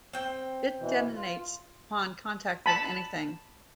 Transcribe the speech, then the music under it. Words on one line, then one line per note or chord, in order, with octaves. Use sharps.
It detonates upon contact with anything.
C4 G5
B2 E3
F4
A5 B5